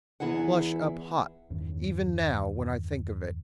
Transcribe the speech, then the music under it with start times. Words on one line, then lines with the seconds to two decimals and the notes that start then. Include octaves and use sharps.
I flush up hot, even now, when I think of it.
0.20 E2 E3 E4 G#4 F#5
1.50 E2 G2 D#3 C#4